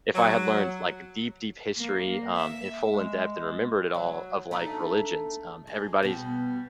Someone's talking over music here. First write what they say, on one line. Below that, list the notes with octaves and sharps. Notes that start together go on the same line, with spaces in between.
if I had learned, like, deep, deep history, um, in full in-depth, and remembered it all, of, like, religions, um, everybody's
F#3
A#3
E5
G#3
F#3
A3 D4 D#4
G#3
B2 G3